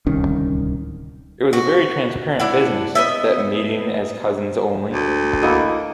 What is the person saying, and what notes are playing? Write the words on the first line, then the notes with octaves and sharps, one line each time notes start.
It was a very transparent business, that meeting as cousins only.
D1 C2 D#3 C#4
F#4
D4 E4 F#5
B3 D#5 E5
D2
E3 A#3 E4 F#4 A4 D#5